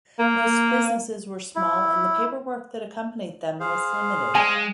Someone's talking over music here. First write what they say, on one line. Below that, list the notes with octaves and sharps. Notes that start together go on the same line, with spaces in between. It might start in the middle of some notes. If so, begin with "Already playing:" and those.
Most businesses were small, and the paperwork that accompanied them was limited.
A#3
E4
G#4 C5 F5
G#3 G#5